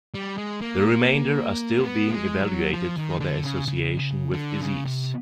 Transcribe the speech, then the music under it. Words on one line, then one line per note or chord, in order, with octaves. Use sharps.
The remainder are still being evaluated for their association with disease.
G3
G#3
A#3
B3
G#3
F#3
F3
D#3
D3
C#3
C#3
C#3
D3
C#3
C3